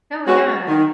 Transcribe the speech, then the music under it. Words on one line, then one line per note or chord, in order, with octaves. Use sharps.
Oh, yeah,
G#3 C#4 F#4
D#3